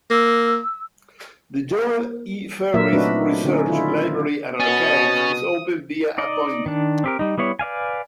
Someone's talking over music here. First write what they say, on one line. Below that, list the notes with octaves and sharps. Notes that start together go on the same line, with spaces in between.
The Joel E. Ferris Research Library and Archives is open via appointment.
A#3 E6
A#2 F#3 A#3 A#4 E5
A3 C4 D4 D#4 F#4 B4
D3 C#4 D#4
D#3 E4 F4
B2 C#4 D#6 A6
D#4 D5 D#5
D#3 D4
C4 G4 A#4
G3 D#4
G3 B3 E4 C#5
B4 D5 F5 G#5